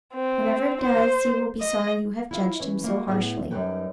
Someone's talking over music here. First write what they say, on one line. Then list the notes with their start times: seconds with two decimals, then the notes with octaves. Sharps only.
'Whenever it does, you will be sorry you have judged him so harshly.'
0.14 C4
0.81 C5
1.61 D#5
2.31 E4 F4 E5 F5
2.60 E3 C#4
2.84 A#3 F#4
3.08 A2 B3 G#4
3.51 F#2 G3 D#4 F#4 B4 G5